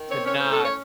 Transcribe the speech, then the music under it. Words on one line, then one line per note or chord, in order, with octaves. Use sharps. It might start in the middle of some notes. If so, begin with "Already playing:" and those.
to not
Already playing: D#3
C4 C#5
C#4 C#5
A2 C5
A4
C#4 C#5